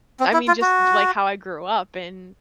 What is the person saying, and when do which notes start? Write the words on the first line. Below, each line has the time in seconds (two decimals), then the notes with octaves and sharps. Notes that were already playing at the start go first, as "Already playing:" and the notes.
I mean, just like how I grew up and,
0.20 C4
0.33 E4
0.48 F4
0.62 F#4